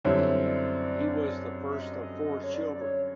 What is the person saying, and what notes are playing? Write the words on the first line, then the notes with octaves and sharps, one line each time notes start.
He was the first of four children.
F#2 D3 G3 C4 E4 C#5
D5
E5
D#5
D5
D#5
C#5
D5
D5
C#5